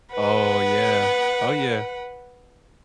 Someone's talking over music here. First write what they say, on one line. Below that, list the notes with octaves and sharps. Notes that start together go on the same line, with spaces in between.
Oh, yeah. Oh, yeah.
B4 F#5